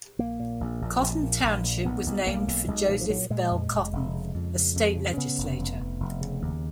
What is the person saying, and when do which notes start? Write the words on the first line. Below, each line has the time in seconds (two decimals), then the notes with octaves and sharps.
Cotton Township was named for Joseph Bell Cotton, a state legislator.
0.19 A#1 A#3
0.40 A#2
0.60 A#1
0.82 A#1
1.02 A#1
1.23 A#2
1.44 A#1
1.64 A#2
1.85 B1 B3
2.06 B1
2.27 B1 A#3
2.48 B1
2.68 B1 G#3
2.89 A#2 F3
3.01 F3
3.10 A#2 F#3
3.30 A#2 G#3
3.51 F2
3.72 F1
3.93 F1
4.14 C#3
4.34 F2
4.55 C#3
4.76 F2
4.96 C#3
5.17 C#3 B3
5.38 F1
5.59 F1
5.80 F1
6.00 F1
6.21 C#3
6.42 D#2